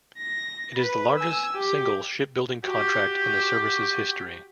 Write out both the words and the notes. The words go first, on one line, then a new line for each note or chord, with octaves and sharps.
It is the largest single shipbuilding contract in the service's history.
A#6
B4
G#5 E6
G4
F#4 G4